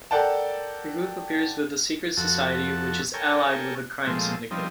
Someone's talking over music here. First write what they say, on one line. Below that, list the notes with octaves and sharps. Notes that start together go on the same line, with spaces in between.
The group appears with the Secret Society, which is allied with the Crime Syndicate.
A4 A#4 D5 F#5 G5 A5
F2 F#4 A4
A4 A#4 C#5 G5 G#5
A#2 F3 G#3 A3 C4
F3 G3 C4 D#4